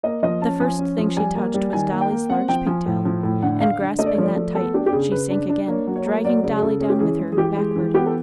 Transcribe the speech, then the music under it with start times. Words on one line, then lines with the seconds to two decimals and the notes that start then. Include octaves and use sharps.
The first thing she touched was Dolly's large pig-tail, and, grasping that tight, she sank again, dragging Dolly down with her, backward.
0.03 A#3 D#5
0.23 F3 D#5
0.41 C#4 A5
0.60 F3 G#5
0.79 C#4
0.98 F3
1.16 G3 G#5
1.35 A#3
1.54 G3
1.73 D#3 G#5
1.92 A#3
2.01 G5
2.10 A#3
2.29 C4 F#5
2.49 F3 G5
2.66 F3 G#5
2.86 A2
3.05 F3
3.23 A2
3.42 D3 F#5
3.60 D3 F5
3.80 D3
3.99 A3 D#5
4.06 D5
4.15 C#5
4.18 F3 D5
4.36 A3
4.55 B3 A4
4.74 D4 G4
4.86 G4
4.93 C#3 G#4
5.11 C#3 B4
5.30 D4
5.50 D4
5.68 A#3 C#5
5.87 F#3
5.96 C#5
6.06 A#3
6.24 F#3 D5
6.43 C#3 D5
6.56 G#4
6.62 C#3 A4
6.81 C#4 G#4
6.90 G4
6.99 E3 G#4
7.19 G#3
7.32 G#4
7.37 E3 G4
7.57 G#3
7.76 E3
7.94 B3 G4
8.06 A4